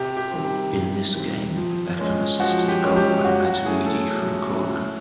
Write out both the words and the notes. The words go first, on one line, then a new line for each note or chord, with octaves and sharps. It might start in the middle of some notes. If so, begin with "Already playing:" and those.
In this game, Beckham assisted a goal by Matuidi from a corner.
Already playing: C3 G4
G4
D#3 G3 C4
G4
C3
D#3 G3 C4
F3
G#3 C#4
F3 F#4
G4
G#3 C#4
G4
F#3 F#4
F#4
A3 C#4 E4 G#4
A4
F#3
A3 C#4 E4